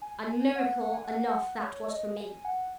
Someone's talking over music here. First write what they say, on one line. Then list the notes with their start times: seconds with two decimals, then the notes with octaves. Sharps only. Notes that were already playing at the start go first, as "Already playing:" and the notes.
And miracle enough that was for me.
0.02 G#5
0.29 G#5
0.56 F#5
0.82 F#5
0.93 G#5
1.04 F#5
1.63 C#5
1.90 D#5
2.17 G#5
2.45 F#5